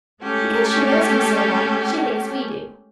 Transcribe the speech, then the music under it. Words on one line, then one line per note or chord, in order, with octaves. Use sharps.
"Because she knows him so well, she thinks we do."
G#3 A3 C#4 G4 A4